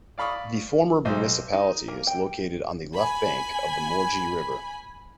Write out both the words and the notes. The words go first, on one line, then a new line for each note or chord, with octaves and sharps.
The former municipality is located on the left bank of the Morges river.
D5 F5 B5 C#6 D#6
B1 C5 D#5
D#4
A#3
G5
G#5 B5